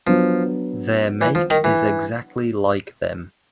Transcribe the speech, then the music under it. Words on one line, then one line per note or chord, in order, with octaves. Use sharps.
Their make is exactly like them.
F3 F#3 B3 D4
E3
F3
D#3
E3